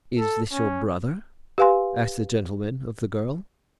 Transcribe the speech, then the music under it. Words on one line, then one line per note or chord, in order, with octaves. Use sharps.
"Is this your brother?" asked the gentleman of the girl.
A4
C#4
G4 B4 F5 G#5 C6